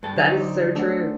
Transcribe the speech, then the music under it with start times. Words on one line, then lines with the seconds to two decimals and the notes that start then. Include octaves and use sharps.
That is so true.
0.03 G2 A4
0.16 D3 F#3 D#4
0.39 C5 D5 D#5
0.75 A3 D4 A4 F#5 D6